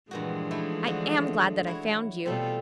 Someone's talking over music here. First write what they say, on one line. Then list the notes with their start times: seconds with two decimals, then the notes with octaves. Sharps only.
I am glad that I found you.
0.11 G2 A#2 E3 F3 G#3 F#4
0.51 A3 D#4 E4
0.87 D3 F#4 C5
1.67 E4 F#4 C#5
2.26 B2 G3 A3 C4 F4 A4